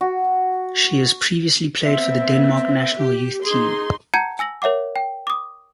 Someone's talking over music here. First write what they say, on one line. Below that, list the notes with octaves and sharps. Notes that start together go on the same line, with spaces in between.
She has previously played for the Denmark national youth team.
F#4
B3 C4 E5
G4
D#4 G#4 C6
F#5 A5 A#5 G6 G#6 C#7
G#5 E6 A#6 F#7
A#4 C#5 E5 F#5 D6
G5
D6 D#6